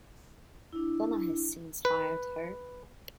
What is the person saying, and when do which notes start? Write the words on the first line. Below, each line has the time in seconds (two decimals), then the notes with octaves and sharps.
Donna has since fired her.
0.73 D4 E4
1.85 B4